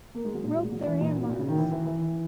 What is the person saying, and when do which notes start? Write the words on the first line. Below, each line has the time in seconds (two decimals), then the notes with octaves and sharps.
Rop the rameras!
0.15 A#3
0.25 G#3
0.34 F#3
0.44 A#2
0.53 B2
0.63 G#3
0.72 F#3
0.86 E3
1.01 A#2
1.15 B2
1.23 A#2
1.29 B2
1.39 C#3
1.48 D#3
1.58 E3
1.72 E3
1.86 E3